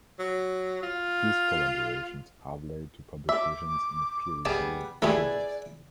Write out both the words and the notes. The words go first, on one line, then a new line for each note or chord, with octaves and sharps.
These collaborations have led to publications in peer-reviewed journals.
F#3
F4
E5 D6
G3 B3 G#4 D5 A5
E3 A3 E4 G4 G#4 B4 D5